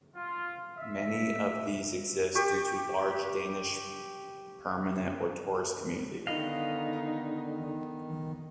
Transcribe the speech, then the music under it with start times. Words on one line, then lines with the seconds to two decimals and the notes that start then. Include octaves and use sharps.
Many of these exist due to large Danish permanent or tourist community.
0.15 F4
0.76 E5
2.35 G4 C#6
6.27 D3 D#3 B3 D#4 D#5 F5